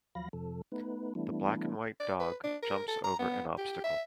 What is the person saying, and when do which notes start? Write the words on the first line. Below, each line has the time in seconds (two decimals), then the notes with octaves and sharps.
The black and white dog jumps over an obstacle.
0.15 D#2 F3 F#3 F5 B5 A#6
0.33 F2 C3 F3 A4
0.72 A3 B3 D#4 B4
1.15 E3 G3 A3 B3 D4 E4
2.00 D5
2.20 B4
2.44 D4
2.62 A#4
2.87 A4
3.04 A#5
3.19 B3
3.58 G4
3.84 E5